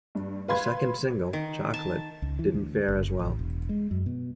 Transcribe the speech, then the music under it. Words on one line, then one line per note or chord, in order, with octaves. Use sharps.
The second single, "Chocolate" didn't fare as well.
G2
B4 F5 B5 C6 G#6
D#3
A5
C#2
E3
D2
F#1
A1
E1
G#3
F#2
B2